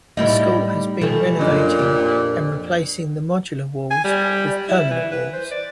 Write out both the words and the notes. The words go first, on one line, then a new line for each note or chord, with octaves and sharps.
The school has been renovating and replacing the modular walls with permanent walls.
A2 G3 D#4 E4 D5 D#5
E3 F3 G3 A3
F#2 A#2 D4 D#5
F2 D4 G4
G#5
G3
G3
E4
E3
B4
C5
D5